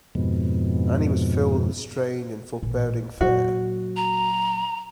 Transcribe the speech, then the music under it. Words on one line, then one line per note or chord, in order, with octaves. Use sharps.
And he was filled with a strange and foreboding fear.
F2 G#2 B2
A1 A#2
A#2 F#3 F#4
A#5